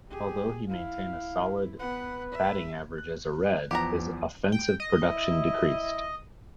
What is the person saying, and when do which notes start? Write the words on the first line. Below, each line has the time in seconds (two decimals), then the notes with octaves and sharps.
Although he maintained a solid batting average as a Red, his offensive production decreased.
0.10 G4 G#4
0.69 E4 F5
1.79 B3 B4 F#5
2.32 E5
2.98 F#6
3.71 E2 F3 B3 G4 F#5 A#5
4.52 G5
4.80 D#5
5.09 E4